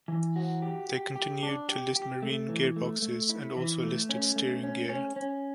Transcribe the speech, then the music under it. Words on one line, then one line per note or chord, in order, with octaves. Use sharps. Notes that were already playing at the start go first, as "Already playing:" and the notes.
They continued to list marine gearboxes and also listed steering gear.
E3
F#4
G4
G4
G4
D4
G4
G4
A3
E3
A3
A3
E4
E3
A3
C#4
A3
C#4
C#4
C#4